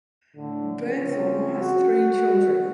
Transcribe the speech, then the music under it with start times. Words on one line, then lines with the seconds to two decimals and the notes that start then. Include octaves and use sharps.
Bernthal has three children.
0.36 A2 D3
0.80 C#3 F3 C4 C#4
1.61 F#4